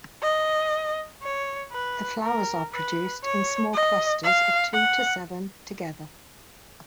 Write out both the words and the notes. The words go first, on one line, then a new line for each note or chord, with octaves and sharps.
The flowers are produced in small clusters of two to seven together.
D#5
C#5
B4
A#4
B4
C#5
D#5
F5
F#5